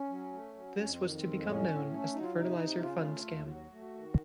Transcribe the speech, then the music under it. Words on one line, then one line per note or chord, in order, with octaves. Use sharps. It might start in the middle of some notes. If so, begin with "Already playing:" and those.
This was to become known as the Fertilizer Fund scam.
Already playing: C#4
F#3
A3
F#3
F2 C#4
C4
D#3
F2 C4
A2 C#4
A2
A3
F#3 D#4
F4
C3 D#4
C3
C#3 F4
A3
D#2
F4
F#3 F#4
A3
D#3